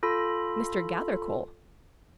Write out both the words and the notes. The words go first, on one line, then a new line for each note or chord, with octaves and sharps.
"Mr. Gathercole!"
F4 A4 B5